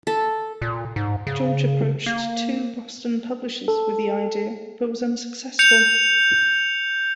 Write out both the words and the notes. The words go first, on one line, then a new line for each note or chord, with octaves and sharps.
George approached two Boston publishers with the idea, but was unsuccessful.
A4
A#2
G#2
C#3
A#3
A4
G6 C#7 F7